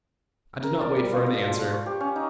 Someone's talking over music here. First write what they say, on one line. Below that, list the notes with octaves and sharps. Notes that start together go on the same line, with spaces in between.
I did not wait for an answer.
A#4
D5
G3
F4
B2
F3
C#6
G4
C#4
D#4